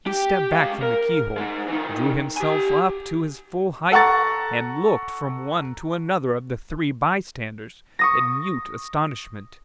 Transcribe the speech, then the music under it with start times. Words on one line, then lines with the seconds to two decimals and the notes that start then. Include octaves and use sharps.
He stepped back from the keyhole; drew himself up to his full height; and looked from one to another of the three bystanders, in mute astonishment.
0.06 G4
0.53 G#3 F5
0.82 A#4
1.37 G#3 D#4
1.68 E3 D#4
2.37 G4 G#5
3.92 A4 F#5 A#5 C#6 A6
7.99 C#6 D#6 A#6